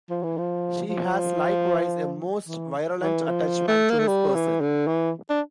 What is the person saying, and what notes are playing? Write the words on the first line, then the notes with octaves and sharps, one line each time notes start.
She has likewise a most virulent attachment to his person.
F3
E3
F3
F3
E3
E3
F3
A3
A#3
A3
G3
E3
D3
E3
D4